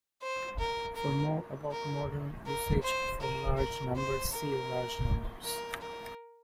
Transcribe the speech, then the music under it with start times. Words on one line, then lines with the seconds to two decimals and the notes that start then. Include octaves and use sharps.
For more about modern usage for large numbers see Large numbers.
0.23 C5
0.59 A#4
0.96 A#4
1.72 A#4
2.47 A#4
2.83 C5
3.21 A#4
3.58 A#4
3.96 C5
4.32 A#4
5.44 A#4
5.81 A#4